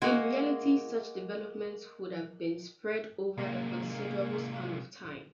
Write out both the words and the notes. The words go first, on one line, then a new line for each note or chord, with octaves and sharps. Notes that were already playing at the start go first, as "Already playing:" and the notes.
In reality, such developments would have been spread over a considerable span of time.
G#3 A#3 F#4
C3 G#3 A#3